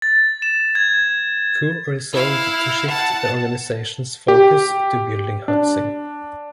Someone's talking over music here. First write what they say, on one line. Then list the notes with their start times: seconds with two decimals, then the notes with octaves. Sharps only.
Koo resolved to shift the organizations focus to building housing.
0.02 A6
0.42 E7
0.75 G#6
2.13 E4 F5
2.88 F#5 A5
4.28 G4
5.48 D4